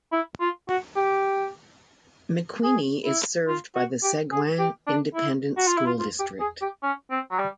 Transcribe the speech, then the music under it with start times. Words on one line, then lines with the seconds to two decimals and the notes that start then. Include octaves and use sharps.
McQueeney is served by the Seguin Independent School District.
0.12 E4
0.40 F4
0.69 F#4
0.97 G4
2.64 G#4
3.06 E4
3.48 F4
3.75 F#4
4.03 G4
4.32 G#4
4.59 G4
4.87 D4
5.15 E4
5.57 F#4
5.67 F4
5.77 E4
5.86 F4
5.99 F4
6.19 G4
6.40 G#4
6.62 G4
6.83 C#4
7.11 C4
7.31 F#3
7.39 G3